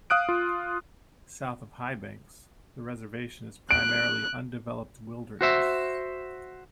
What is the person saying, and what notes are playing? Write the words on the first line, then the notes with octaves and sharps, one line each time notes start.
South of Highbanks, the reservation is primarily undeveloped wilderness.
F5 D#6 F#6 D7
F4
F#6 D7
F#4 C5 E5